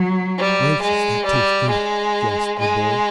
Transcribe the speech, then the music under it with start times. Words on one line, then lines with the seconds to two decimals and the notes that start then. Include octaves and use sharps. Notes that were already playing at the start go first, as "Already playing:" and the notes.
"Gracious, that tastes good!" gasped the boy.
Already playing: F#3
0.37 G3
0.81 G#3
1.25 G3
1.70 G#3
2.58 G#3